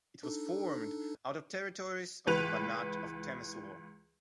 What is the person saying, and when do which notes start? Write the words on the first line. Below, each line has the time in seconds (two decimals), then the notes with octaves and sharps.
It was formed out of territories of the Banat of Temeswar.
0.23 D4 D#4 A4
2.27 C#2 E3 B4 F#6 F7